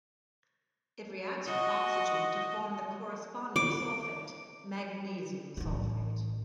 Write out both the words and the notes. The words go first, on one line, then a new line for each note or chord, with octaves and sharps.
It reacts with oxygen to form the corresponding sulfate, magnesium sulfate.
F#4 D#5
D6
A1 E3